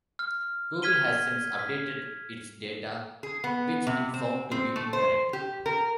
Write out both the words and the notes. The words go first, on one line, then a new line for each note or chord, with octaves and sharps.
Google has since updated its data which it found to be incorrect.
F6
F6 G#6 B6 D#7 G7
B6
G#4
B3
C3
C4
C4
A3
C5
G4
A#4